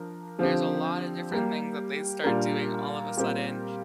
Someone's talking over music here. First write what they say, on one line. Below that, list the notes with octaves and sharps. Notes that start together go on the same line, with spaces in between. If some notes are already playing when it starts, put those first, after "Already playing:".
there's a lotta different things that they start doing all of a sudden.
Already playing: F3 D4 A#4
D3 F3 C4 G4
G3 A#3 G4
A#2 G3 D4 A#4
A#2 G3 C4 G4 A#4